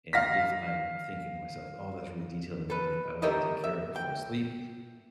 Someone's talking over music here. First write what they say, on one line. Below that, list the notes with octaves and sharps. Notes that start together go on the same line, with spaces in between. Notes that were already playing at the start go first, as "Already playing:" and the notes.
and if I'm thinking to myself, "Oh, that's really detailed. I need to I wanna take care of it before I sleep."
F5 A#6 B6
A4 B4
G4 A4 A#4 C#5 D#5 E5
E5
G5